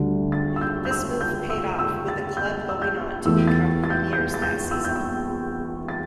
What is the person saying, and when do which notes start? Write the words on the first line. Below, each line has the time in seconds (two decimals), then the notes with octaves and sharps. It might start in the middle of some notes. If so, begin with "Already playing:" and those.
This move paid off with the club going on to become premiers that season.
Already playing: D2 D3 G3 D4
0.32 A6
0.56 E6
0.61 G6
0.85 G6
0.91 E6
1.21 G6
1.50 E6
1.79 E6
2.08 A6
2.37 G6
2.69 E6
2.82 G6
3.25 E2 E3 A3 E6
3.48 A6
3.84 A6
3.90 G6
4.13 G6
4.34 A6
4.42 G6
4.71 E6
4.84 G6
4.96 E6
5.88 A6